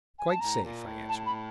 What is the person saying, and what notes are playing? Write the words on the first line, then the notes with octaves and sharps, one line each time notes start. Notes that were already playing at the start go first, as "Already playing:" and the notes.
"Quite safe," I answered.
G#5
A5
A2 A#5
A#2
A2
A5
B5